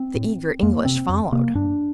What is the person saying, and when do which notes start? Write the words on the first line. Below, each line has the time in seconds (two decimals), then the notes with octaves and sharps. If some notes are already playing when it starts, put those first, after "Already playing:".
The eager English followed.
Already playing: C4
0.15 A2
0.63 F2 A#3
0.85 C3 C4
1.09 F2
1.32 C3 A#3
1.55 G2 D4